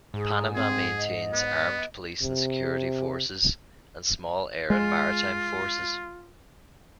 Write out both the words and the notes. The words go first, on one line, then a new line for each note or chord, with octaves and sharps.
Panama maintains armed police and security forces, and small air and maritime forces.
G#2 G#4
C4 G#4
D#5
B3
C3
G#3 F4